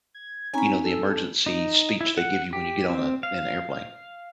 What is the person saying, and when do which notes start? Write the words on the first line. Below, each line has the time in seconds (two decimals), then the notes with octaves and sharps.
you know, the emergency speech they give you when you get on a an airplane,
0.14 G#6
0.54 C4 C#4 D#4 G#5 A#5 B5
0.84 A4
1.46 D#4
2.01 E4
2.17 F#5
2.53 G4
2.90 C4
3.23 F5